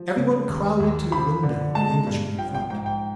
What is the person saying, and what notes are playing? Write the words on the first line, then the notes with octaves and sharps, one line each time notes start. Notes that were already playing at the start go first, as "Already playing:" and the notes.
Everyone crowded to the window, the Englishman in front.
Already playing: F3
C#3
D#2
D#2
F3 B5
D3
G#3 A5
G2
F3 G5
G5
G#2 G5
G5